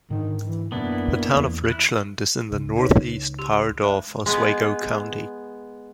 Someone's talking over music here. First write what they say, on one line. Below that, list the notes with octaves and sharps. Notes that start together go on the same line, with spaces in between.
The Town of Richland is in the northeast part of Oswego County.
G#2 D3 D#3
E3
F#2 B2 A#3 B3 D4 E4
E2
E4 F#6
C#2
D#4 B4 C#5
G4 C6
G#3
G#3 B3